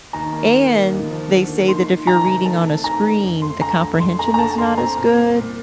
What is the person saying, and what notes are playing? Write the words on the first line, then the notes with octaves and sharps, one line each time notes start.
and they say, that if you're reading on a screen, the comprehension is not as good,
D#2 A#5
A#3
A#3
A#3
D#2
F3
D3
A#3
D#3 C6
D#3
D#3 A#5
C3
A3 A5
A3
D#3 A#5
D4
F2
A3 C6
D3 A#5
A3
F2 C6
A3 A#5
A#5
D3 A5
F2 C6
C4 A#5
A#2
C2
A#2